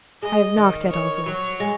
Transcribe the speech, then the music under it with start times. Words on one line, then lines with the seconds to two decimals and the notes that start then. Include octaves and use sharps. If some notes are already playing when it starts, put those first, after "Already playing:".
"I have knocked at all doors."
0.23 G#3 D#5
0.57 D#3
0.91 C#5
1.25 F#3 C#5
1.60 G#3